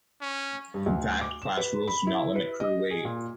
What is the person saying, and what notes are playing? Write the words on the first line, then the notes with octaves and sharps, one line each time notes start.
In fact, class rules do not limit crew weight.
C#4
G2
D2
D6
E7
B4
B5
E4
B4
D#5
G#4
A#2